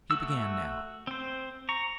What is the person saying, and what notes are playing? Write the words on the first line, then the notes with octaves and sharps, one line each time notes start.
He began now.
A3 F#4 E6
C4 C5
A#5 C#6